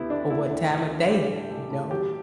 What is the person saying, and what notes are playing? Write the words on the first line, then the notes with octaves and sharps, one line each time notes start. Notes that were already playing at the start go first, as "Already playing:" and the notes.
or what time of day, you know?
Already playing: D2 B3 E4 G4
D3 D4
A3 E4
D2
D2
D3
G3 G4
A1
A1
A2
F#3 G4